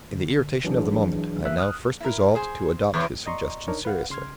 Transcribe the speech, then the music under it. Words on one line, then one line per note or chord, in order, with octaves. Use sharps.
In the irritation of the moment, I now first resolved to adopt his suggestion seriously.
D3
E3 F#3 D4 G#4
E3 A#3 E5 F#6
D#6 F6 F#6
E4 A#4
G#4 C5 G#5
E2 B4 C#5
D5 D#5 A#5 C6 C#6
D4 D#4 A#4 C#5
B4 F5 F#5
C#3 C6 F6 G#6